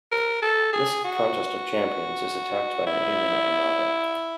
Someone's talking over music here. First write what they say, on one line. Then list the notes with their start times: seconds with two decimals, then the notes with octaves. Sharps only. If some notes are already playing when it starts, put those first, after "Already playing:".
This 'Contest of Champions' is attacked by an alien armada.
0.12 A#4
0.42 A4
0.73 G#4
1.04 F#4
2.87 E4